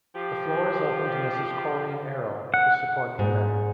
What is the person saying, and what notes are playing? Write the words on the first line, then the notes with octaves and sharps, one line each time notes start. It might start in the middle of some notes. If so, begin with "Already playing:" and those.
The floor is open to Mrs Corinne Erhel to support the amendment.
F3 G4
F#5
G#2